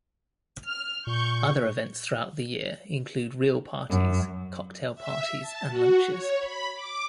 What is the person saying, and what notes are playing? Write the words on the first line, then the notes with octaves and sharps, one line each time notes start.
Other events throughout the year include reel parties, cocktail parties and lunches.
F6
A#2 C#6 G6
F#2
E5
A5
F#4
C#5
B5
D6